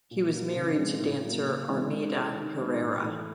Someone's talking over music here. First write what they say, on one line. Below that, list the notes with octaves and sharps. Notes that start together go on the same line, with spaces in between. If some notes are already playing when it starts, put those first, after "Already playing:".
He was married to dancer Armida Herrera.
A#2
F#3 A#3
C#3
F3 G#3 C4 D#4
A2
F#3 A#3
C#3
E3 G#3 C4 E4
G#3
C#4 E4 A4
D#3
G#3 B3 D#4
A2
E3 A3